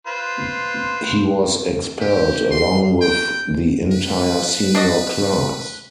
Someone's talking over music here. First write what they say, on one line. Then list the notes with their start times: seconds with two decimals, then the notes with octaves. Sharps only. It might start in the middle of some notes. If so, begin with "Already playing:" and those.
He was expelled, along with the entire senior class.
0.07 F4 B4 C5
2.01 G4
2.51 C6
3.01 G5
3.92 B4
4.75 D4 F#4 D#5